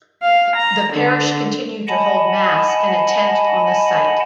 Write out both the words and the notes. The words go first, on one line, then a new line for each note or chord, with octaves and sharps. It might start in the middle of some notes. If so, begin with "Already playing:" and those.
The parish continued to hold Mass in a tent on the site.
F5
A#5
D3
D#5 F#5 G#5 A5 B5